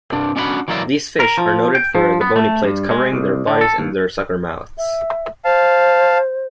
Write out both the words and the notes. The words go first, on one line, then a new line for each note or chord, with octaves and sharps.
These fish are noted for the bony plates covering their bodies and their suckermouths.
C2 G2 D4
C#4 D4 E4 F#4 B5
E3 F#3 A#3 A4 D5 E5
A#4
F3
G5
F3
B3
A3
G2
G#3
C2
D3
A4
D#2
E5
C5 F5 A5